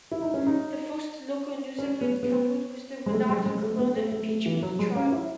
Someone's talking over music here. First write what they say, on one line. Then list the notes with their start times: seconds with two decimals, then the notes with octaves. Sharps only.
The first local news event covered was the Renato Corona impeachment trial.
0.11 E4
0.22 D#4
0.34 C#4
0.47 D#4
1.78 C#4
2.01 B3
2.23 B3
3.06 G#3
3.12 A3
3.29 G#3
3.46 G#3
3.63 A3
3.79 B3
3.96 A3
4.12 A3
4.29 A3
4.46 E3
4.63 F#3
4.79 G#3
4.96 C#4
5.12 E4